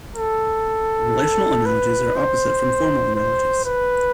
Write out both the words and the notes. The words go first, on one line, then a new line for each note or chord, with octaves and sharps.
Relational analogies are opposite from formal analogies.
A4
B4
C5
C5
B4